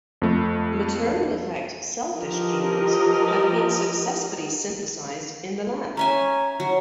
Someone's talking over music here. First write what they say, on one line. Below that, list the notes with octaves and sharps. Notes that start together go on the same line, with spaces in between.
Maternal-effect selfish genes have been successfully synthesized in the lab.
F2 A3
E3 F3 G4 A#4 D#5
C#4 E5 G#5 A#5
F#3